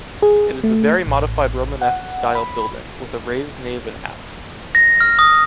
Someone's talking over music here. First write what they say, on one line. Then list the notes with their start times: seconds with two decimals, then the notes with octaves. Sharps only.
It is a very modified Romanesque-style building, with a raised nave and apse.
0.22 G#4
0.64 A3
1.07 A1
1.81 F#5
2.35 B5
4.75 A#6
5.01 F6
5.19 D#6